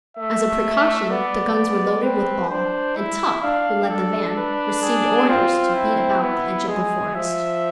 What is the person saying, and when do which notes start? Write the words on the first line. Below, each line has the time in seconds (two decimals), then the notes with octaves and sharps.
As a precaution the guns were loaded with ball, and Top, who led the van, received orders to beat about the edge of the forest.
0.17 A3 E5
1.10 B3 D5
2.03 C4 B4
2.49 D4 C5
2.96 E4 E5
3.42 D4 F5
3.89 A4
4.36 B4
4.82 G#4
5.29 C4 F4
5.75 E4
6.22 B3 E4
6.68 G#3 G#4
7.15 F3 E5